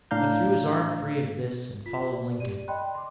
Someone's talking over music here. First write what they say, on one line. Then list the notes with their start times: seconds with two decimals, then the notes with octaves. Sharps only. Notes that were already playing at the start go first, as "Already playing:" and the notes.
He threw his arm free of this and followed Lincoln.
0.11 A2 D4 F5 A#5 G6
1.86 F4 B6
2.13 D5
2.40 G4 D5 D#7
2.68 D5 D#5 G5 B5 C6 F#6
2.95 C6 D6